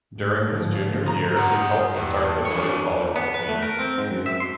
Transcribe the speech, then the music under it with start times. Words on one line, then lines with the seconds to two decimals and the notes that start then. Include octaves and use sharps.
During his junior year he helped start the boys volleyball team.
0.17 G#2
0.47 G#2 D3 F3
1.08 A#5
1.38 G2 G#4 F#5
1.96 E2 G2
2.46 D4 C#5
3.16 B3
3.34 B4
3.49 A3
3.62 A#4
3.79 C4
3.98 G#2
4.11 F#2
4.26 E5
4.40 C6